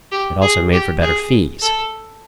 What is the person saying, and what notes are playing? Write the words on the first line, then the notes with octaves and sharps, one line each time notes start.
It also made for better fees.
G4
G#4
G4
G#4
A4